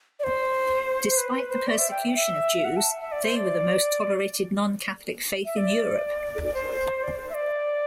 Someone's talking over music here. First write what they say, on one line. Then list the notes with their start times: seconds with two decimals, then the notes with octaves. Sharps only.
Despite the persecution of Jews, they were the most tolerated non-Catholic faith in Europe.
0.20 D5
0.24 C5
1.09 C5
1.17 B4
1.34 B4
1.51 C5
1.67 D5
1.78 E5
1.91 G5
2.15 E5
2.65 F#5
2.77 A5
3.00 E5
3.12 D5
3.24 C5
3.36 D5
5.45 E5
5.57 D5
6.44 D5
6.54 C5
7.03 D5
7.16 C5
7.30 E5
7.34 D5